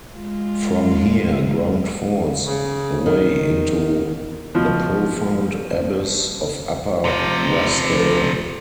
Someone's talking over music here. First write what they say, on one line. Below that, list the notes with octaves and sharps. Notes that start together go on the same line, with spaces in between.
From here ground falls away into the profound abyss of upper Wasdale.
G#3 F4
C#3
D#3
B2 F3
C3 F3